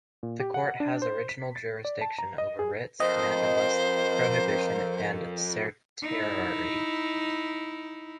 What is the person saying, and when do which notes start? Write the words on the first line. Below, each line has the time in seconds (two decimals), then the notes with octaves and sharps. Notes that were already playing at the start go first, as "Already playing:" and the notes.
The Court has original jurisdiction over writs of mandamus, prohibition, and certiorari.
0.23 A#2
0.40 G4
0.54 F#5
0.80 D4
1.02 C5
1.29 B6
1.56 A6
1.85 D5
2.01 A5
2.19 A#5
2.38 D#5
2.59 G#4
3.00 F2 A#4 C5 D#5
6.02 D#4 E4